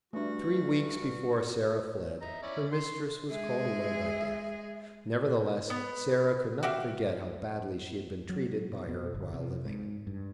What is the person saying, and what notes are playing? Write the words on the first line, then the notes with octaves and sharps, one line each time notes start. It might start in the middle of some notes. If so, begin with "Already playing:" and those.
Three weeks before Sarah fled, her mistress was called away by death; nevertheless Sarah could not forget how badly she had been treated by her while living.
G2 E3 G3 A3 D4 F#4
D#5 E5 A#5
C#4 E4 D5
C6
G#3 G#4 E5
B3
F#4 G4 E5 F5
F#3
B2
B2
G1
C3
G#2
G2